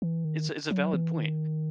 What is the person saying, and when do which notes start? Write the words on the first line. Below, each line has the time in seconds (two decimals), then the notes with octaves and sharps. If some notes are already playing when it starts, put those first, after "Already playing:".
It's a it's a valid point.
0.02 E3
0.25 D#3
0.71 F#3
0.94 E3
1.18 D#3